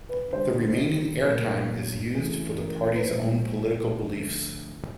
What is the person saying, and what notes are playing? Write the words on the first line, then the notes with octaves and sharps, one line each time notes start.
The remaining airtime is used for the party's own political beliefs.
B4
D3 G3 C5
A#2 F#3 A3 A#4
C#3 E3 A3 G#4
A#4
B4
A#2 F3 G#3 C5
D3 F3 A3